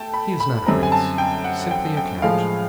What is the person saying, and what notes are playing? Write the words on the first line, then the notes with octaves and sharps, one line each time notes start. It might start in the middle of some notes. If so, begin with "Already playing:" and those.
"He is not a prince; simply a count."
Already playing: A3 G5 A5
B5
B5
F#2 D3 G3 C4 A#5
G#5
A5
G5
F#5
F#5
G5
G5
A2 F3 G#3 F5